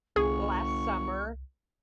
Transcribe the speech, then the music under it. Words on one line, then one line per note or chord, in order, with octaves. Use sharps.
last summer
G1 C2 G#4 C#6